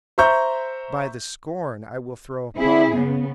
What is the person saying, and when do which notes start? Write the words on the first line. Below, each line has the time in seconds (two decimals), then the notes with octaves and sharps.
"By the scorn I will throw upon her."
0.18 C5 E5 A#5 C#6 G6
2.57 C4 E4 G#4
2.94 C#3 B3